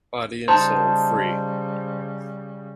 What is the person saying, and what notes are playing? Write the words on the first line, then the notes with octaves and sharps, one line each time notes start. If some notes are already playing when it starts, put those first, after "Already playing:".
Body and soul free.
C#3 G3 D#4 C5 A5 G6